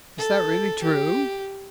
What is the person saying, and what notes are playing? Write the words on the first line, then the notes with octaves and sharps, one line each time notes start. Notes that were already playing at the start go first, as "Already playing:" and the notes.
"Is that really true?"
A4
G4